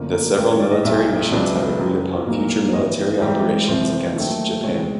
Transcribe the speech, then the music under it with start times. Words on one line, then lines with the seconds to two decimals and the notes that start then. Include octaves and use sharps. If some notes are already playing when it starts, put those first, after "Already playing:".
The several military missions have agreed upon future military operations against Japan.
Already playing: G1 F#2 D3 F3 A#3
0.13 A#4
0.37 A1 G#2 D#3 B4
0.49 C#5
0.60 D5
0.71 D#5
0.83 B1 A#2 G3 E5
1.31 C#2 B2 F#3 B3 D4
1.79 F#2 D#3 F#3 B3
2.26 B1 A#2 F#3 A#3 D#4
2.73 G#1 G2 E3 D#5
3.21 G#2 E3 G3 C4
3.68 C2 C3 E3 C5
4.16 D#2 D#3 F#3 A3 C4
4.63 C#2 B2 G#3 C4 C#5